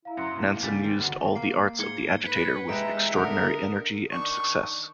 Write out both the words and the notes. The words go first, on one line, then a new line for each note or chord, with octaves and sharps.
Nansen used all the arts of the agitator with extraordinary energy and success.
E4 F5 A#5
F#2 C6 F#6 C#7
A2 C3 A#3
C#3 G3 G#5 A6 B6
D#3 C4
D2 D3 F#4
A#3 C7
G#2 G#6 C#7 G7
B4 B6
G#3 D#4 G4 B4 E5 A#5 D7
D3 A#4 D#6
D#3 D4 C#6